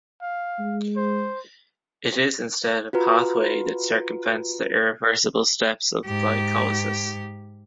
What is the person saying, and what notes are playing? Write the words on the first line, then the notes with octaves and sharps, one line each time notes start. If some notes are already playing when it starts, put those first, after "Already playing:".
It is instead a pathway that circumvents the irreversible steps of glycolysis.
F5
G#3
C5
F4 F#4 B4 A#5
G#2 G4